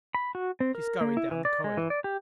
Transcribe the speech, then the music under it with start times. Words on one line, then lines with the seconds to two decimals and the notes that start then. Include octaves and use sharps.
She scurried down the corridor.
0.15 B5
0.35 F#4
0.60 C4
0.75 A#4
1.01 A#3
1.17 E4
1.31 E3
1.45 D5
1.64 G#3
1.77 E3
1.90 D5
2.04 G4